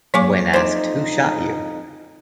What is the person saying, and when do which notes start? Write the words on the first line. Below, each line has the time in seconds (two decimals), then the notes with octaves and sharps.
When asked Who shot you?
0.14 F#3 A#3 G#4 C#5 D6
0.53 F2 D#4 C5 D5